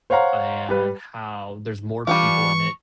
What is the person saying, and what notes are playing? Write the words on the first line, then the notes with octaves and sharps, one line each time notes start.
uh, and how there's more people in it,
C5 C#5 F5 F#5 A#5
G3 B4
E3 G3 D4 F4 C#6